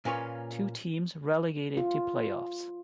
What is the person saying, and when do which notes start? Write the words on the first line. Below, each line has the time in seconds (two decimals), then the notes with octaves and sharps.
Two teams relegated to Playoffs.
0.05 A#2 A#3 C#4 F4 B4 C#5
1.77 F4